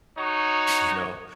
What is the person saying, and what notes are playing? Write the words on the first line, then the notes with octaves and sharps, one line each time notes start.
you know?
D#4 F#4 C#5